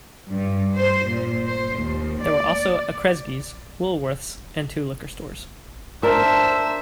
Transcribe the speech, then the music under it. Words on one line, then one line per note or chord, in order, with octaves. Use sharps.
There were also a Kresge's, Woolworth's, and two liquor stores.
G2
C5
A#2
C5
D#2
D5
D4 A#4 C5 E5 A5 E6